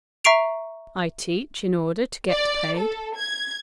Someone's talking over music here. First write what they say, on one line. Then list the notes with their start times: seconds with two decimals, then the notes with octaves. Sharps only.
'I teach in order to get paid.'
0.24 E5 A#5 C#6 C7 D7 F7
2.30 D5
2.77 A4
3.17 G#6